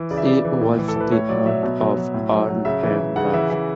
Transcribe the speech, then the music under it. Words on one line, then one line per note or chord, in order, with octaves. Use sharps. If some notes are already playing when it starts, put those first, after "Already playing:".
She was the aunt of Earl Hamner.
Already playing: E3
C#3 D5
E5
E3 D5
E3
A2
E3
A4
E3 B4
A2 C#5
F#3 D5
F#3 E5
B2
F#3
F#3
A2
F#3
F#3
C#3 E5
E3
E3
C#3 F#5
E3 E5
E3 E5